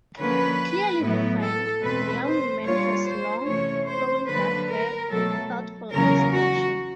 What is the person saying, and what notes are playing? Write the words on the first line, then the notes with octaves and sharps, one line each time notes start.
Clearly defined, the young woman has long, flowing dark hair and a thoughtful expression.
D3 F3 A#3 C#4 B4
A2 F#3 B3 E4
A4
E2 B2 G#3 C4 B4
C5
A#2 G3 A#3 D4 F4 C#5
C5
E2 C3 E3 A3 C#4 C#5
C5
D3 F#3 A#3 D4 B4
A#4
B2 F#3 A3 A4
E2 C#3 F#3 A#3 C#4 A#4
F#4